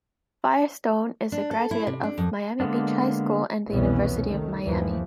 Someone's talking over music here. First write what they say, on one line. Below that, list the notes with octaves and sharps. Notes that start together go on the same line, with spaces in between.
Firestone is a graduate of Miami Beach High School and the University of Miami.
D4
A4
E4
C3
D4
F2
D3 G#3 A#3 B3 D4
C2 F2 B2 E3 B3 C#4
D#3 A3
G1 D#2 E3 F3